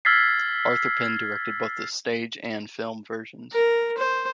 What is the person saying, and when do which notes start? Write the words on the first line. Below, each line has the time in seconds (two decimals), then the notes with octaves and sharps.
Arthur Penn directed both the stage and film versions.
0.05 E6 F6 G#6 A6 B6 C7
3.52 A#4
3.98 C5